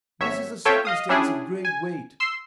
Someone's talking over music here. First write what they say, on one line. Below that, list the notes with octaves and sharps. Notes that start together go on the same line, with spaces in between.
This is a circumstance of great weight.
G#1 C#5 E5
F4 A4 C#5 E5 G5
D#5 F5 D#6
G3 C#4 D4 E4 G#4
G#5
C6 E6 C7